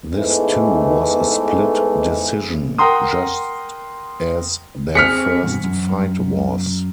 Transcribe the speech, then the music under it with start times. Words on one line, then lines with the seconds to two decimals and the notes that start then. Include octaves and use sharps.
This too was a split decision just as their first fight was.
0.17 E2 G#2 E3 G#3 A3
2.78 A#4 F#5 G5 A#5 C6 D#6
4.95 C4 G#4 F6 B6 C#7
5.43 E2 G2 B2
5.64 F#2